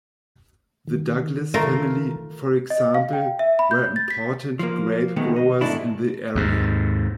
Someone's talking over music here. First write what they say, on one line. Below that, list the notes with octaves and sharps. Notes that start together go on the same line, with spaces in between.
The Douglas family, for example, were important grape growers in the area.
D#3
A3 F4 A#4
D#5
F5
G5
E5
B5
G6
A6
B6
F3 A#3
B2 D#3 F#3 G#3 A3 B3
D#5
G#2 B2 D#3 A3 D4 E4
D#2 G#2